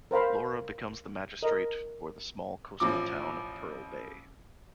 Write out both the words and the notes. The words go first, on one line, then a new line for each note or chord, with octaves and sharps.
Laura becomes the magistrate for the small coastal town of Pearl Bay.
A#4 C5 F5 B5
A#4 D#5
A1 F3 D6